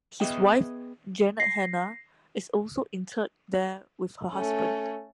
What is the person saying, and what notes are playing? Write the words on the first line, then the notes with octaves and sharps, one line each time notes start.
His wife, Janet Hannah, is also interred there with her husband.
B3 G#4 B4 D#5 E5 G5
A#6 C7
A3 C#4